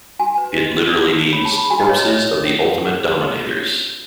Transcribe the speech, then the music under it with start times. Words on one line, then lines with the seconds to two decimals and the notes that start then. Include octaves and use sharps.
It literally means "corpses of the ultimate dominators".
0.19 F#4 G#5
0.38 B4
0.56 F#4 D#5
0.75 C#4
0.94 D#4
1.14 D#4
1.32 C#5 B5
1.45 A5
1.51 G#4
1.58 B5
1.70 F#4 G#5
1.80 D#5
1.89 C#5
1.99 D#5
2.08 C#5 E5
2.27 C#5
2.46 C#4
2.65 B4
2.84 G#4 F#5
3.03 G#4
3.22 F#4 D#5
3.40 C#5